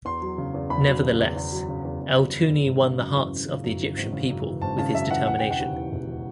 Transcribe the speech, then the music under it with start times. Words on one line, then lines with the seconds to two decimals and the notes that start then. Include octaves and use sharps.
Nevertheless, Eltouny won the hearts of the Egyptian people with his determination.
0.05 E2 C6
0.22 F#3
0.38 C#3
0.54 E2
0.70 E2 B5
0.87 F#3
1.03 C#3
1.19 E2
1.36 E2
1.52 F#3
1.68 C#3
1.85 E2
2.01 E2
2.17 F#3
2.33 C#3
2.49 E2
2.66 G#1
2.82 C#3
2.99 F#2
3.15 E3
3.32 G#1
3.48 C#3
3.64 F#2
3.80 E3
3.97 G#1
4.13 C#3
4.30 F#2
4.45 E3
4.62 G#1 A5
4.78 C#3 A5
4.95 F#2 E5
5.11 E3 F#5
5.27 E1 F#5
5.39 C#3 G5
5.51 F#5
5.59 D#2
5.76 E3
5.92 E1
6.09 C#3